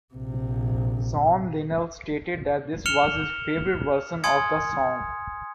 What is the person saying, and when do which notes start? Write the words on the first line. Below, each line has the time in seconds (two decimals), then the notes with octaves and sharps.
John Linnell stated that this was his favourite version of the song.
0.14 A#1 C3
2.86 F6 C#7 E7 F7 G7
4.24 G#5 C6 D#6 G#6 C#7